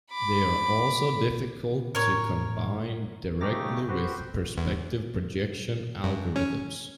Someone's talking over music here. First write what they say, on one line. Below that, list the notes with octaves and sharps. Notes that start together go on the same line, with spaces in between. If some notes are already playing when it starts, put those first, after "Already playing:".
They are also difficult to combine directly with perspective projection algorithms.
B5 D6
A2 A#4 C#5
C#3 A3 D#4 G4 D6 A#6
C4 F#4 G4 B4 C5
E2
F#2
C#4